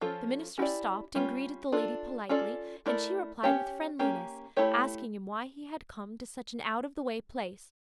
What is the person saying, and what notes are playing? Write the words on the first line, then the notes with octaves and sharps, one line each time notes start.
The minister stopped and greeted the lady politely, and she replied with friendliness, asking him why he had come to such an out-of-the way place.
F3 C#4 F4 A4
C#4 E4 G4 D5
G3 C#4 F4
D4 F4 A4
C#4 F4 A4 D5
A3 E4 A#4 D5
C#4 G4 C#5
A#3 C#4 G4
A3 E4 G4 C#5